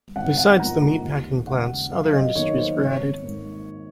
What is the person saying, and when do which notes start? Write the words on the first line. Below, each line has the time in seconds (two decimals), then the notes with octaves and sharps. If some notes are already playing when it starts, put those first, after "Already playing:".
Besides the meat-packing plants, other industries were added.
0.16 G#1 F#5
0.38 F#5
0.59 G#2 F3 A#3 A#5
0.82 A#5
1.03 D#2
1.47 C#3 G#3 F#5
1.92 F#2 F5
2.13 D#5
2.35 D#3 A#3 C#5
2.58 C5
2.79 G#1 C#5
3.22 G#2 D#3 A#3